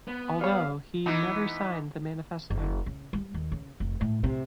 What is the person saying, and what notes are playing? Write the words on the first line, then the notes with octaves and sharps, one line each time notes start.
Although he never signed the manifesto.
B3
G3 C#5 F5
E3 B3 D#4
F#1
C#3
G3
D#2
C#3
F1
A2
C3